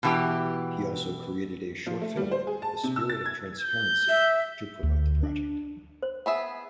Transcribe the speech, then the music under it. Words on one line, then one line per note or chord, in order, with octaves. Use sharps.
He also created a short film, "The Spirit of Transparency", to promote the project.
B2 E3 G4
F3
A3
G3
C5
G#4
A5
C3
E6
A6
G#6
G6
E5
D2
D4
C5
B3 G#4 E5